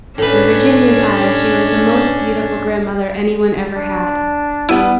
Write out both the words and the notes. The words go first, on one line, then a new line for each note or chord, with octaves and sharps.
In Virginia's eyes she was the most beautiful grandmother any one ever had.
A2 C#4 D4 B4
D4
G3 B3 E4 D#7